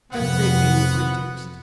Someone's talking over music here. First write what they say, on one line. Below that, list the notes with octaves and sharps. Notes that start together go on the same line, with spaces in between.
Had they any pretext?
F2 C3 B3 F#5